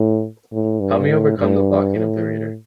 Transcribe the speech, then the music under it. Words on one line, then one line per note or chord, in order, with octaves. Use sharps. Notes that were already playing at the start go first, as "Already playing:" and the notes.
Help me overcome the blocking of the reader.
Already playing: A2
A2
G2
A2
G2
A2